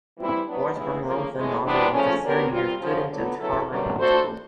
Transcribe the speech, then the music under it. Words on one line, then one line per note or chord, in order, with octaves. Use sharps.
Osborn wrote the novel as a third-year student at Harvard Law School.
E3 G3 C4 E4
F#3 B3 D4
G2 E3 G#3 B3 E4
C#3 F3 A#3
A2 E3 G#3
C3 E3 G3 B3 D4
C#3 F3 A3 C#4
F#3 B3 D4 G4 A#4
A#2 G3 C4 F4
F#2 C#3 F3
D3 F#3 B3
C#3 F#3 B3 E4 A4
F#2 D3 G3
A3 D4 F#4 A4 C5